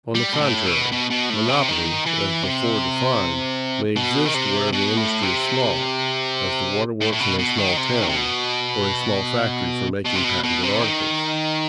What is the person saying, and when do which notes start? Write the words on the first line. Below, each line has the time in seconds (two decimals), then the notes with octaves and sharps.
On the contrary, monopoly, as before defined, may exist where the industry is small, as the waterworks in a small town, or a small factory for making patented articles.
0.15 G3
0.32 B2
0.40 A2
0.66 B2
0.92 B2
1.10 B2
1.29 A2
1.48 C3
1.68 D#3
2.06 E3
2.44 C3
3.96 B2
4.25 D#3
4.34 C3
4.73 B2
4.97 A2
5.23 C3
7.01 A2
7.12 A2
7.20 B2
7.38 B2
7.58 D#3
7.77 C3
8.01 D#3
8.08 C3
8.15 B2
10.05 B2
10.16 C3
10.24 B2
10.44 B2
10.63 C3
10.82 D#3